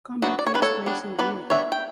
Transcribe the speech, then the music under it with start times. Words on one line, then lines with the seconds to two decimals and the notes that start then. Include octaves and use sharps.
Combat takes place in real-time.
0.22 F#3 B3 D4 F#4
0.39 D5
0.47 C#5
0.54 G3 B3 D4 B4
0.62 A4 C#5
0.86 G3 B3 D4
1.19 G3 B3 D4 B4 D5
1.50 G3 B3 D4 C#5 E5
1.72 G5